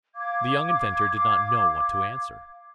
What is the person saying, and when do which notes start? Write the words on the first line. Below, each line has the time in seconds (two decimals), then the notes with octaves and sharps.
The young inventor did not know what to answer.
0.16 F5 D6 G#6